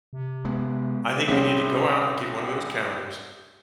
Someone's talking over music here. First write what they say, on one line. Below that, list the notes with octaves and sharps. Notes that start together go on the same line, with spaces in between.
I think you need to go out and get one of those calendars,
C3
G#3 B3
C2 C4 C#4 G#4 G5 B6